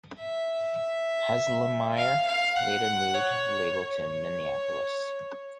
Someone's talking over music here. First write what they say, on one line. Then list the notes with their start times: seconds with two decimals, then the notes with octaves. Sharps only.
Hazelmyer later moved the label to Minneapolis.
0.20 E5
1.97 F5
2.27 F5
2.56 F#5
3.14 C#5
3.74 C#5